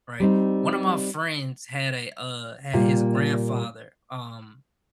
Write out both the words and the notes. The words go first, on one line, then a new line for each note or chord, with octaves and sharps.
right, one of my friends had a, uh had his grandfather, um,
G3 C4 D#4
A#2 G3 A#3 F4